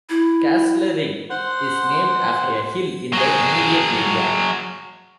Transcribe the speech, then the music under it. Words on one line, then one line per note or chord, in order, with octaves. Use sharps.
Castlerigg is named after a hill in the immediate area.
E4
C5 F#5 C6
F#3 G#4